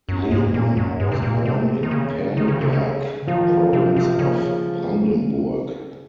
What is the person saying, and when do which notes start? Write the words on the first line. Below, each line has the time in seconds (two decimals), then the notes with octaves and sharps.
Lehmann was born in Perleberg, Province of Brandenburg.
0.09 F#2
0.31 G#2
0.54 A#2
0.77 F#2
1.00 G#2
1.12 C3
1.23 A#2
1.45 C3
1.83 D#3
1.91 C#3
2.37 D#3
2.48 C#3
2.61 C3
2.73 C#3
3.27 D#3 F3
3.73 C3
3.96 C3
4.19 C#3